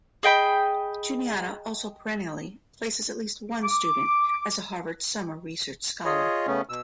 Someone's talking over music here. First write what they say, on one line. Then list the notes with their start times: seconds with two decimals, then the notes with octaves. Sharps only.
Juniata also perennially places at least one student as a Harvard Summer Research Scholar.
0.23 G#4 D#5 G5 B5
3.63 D6
6.05 F4 G#4 C#5 D#5
6.47 C#3 A3 B3 C#4
6.69 B2 E6